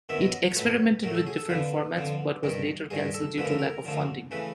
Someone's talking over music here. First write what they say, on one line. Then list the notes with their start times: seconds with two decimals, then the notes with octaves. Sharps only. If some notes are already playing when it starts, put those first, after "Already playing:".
It experimented with different formats but was later cancelled due to lack of funding.
0.09 F#2 D#3 F#3 B3 E5
0.21 D#5
0.44 C#5
0.56 A2 F#3 A3 B4
1.03 A2 F#3 A3 A#4
1.15 A4
1.27 G#4
1.38 A4
1.50 F2 D3 F3 B4
1.97 F2 D3 F3
2.43 G2 D#3 G3
2.90 G2 D#3 G3 G#4
3.14 A4
3.37 F#2 D3 F3 A3 B4
3.45 A#4
3.52 A4
3.59 A#4
3.85 F#2 D3 F3 A3
4.31 C#3 E3 A3 B4